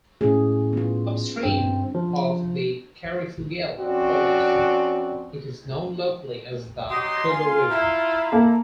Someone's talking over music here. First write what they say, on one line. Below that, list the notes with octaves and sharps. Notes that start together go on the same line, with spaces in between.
Upstream of the Karifiguela Falls it is known locally as the Koba River.
A2 C#4 G#4
B3 F4
G2 C4 D4
F3
F2 C4 C#4 F#4 D5
F#3 G4 D#5 C6 D#6
F4 G#5
E4 A#5
A#3 A4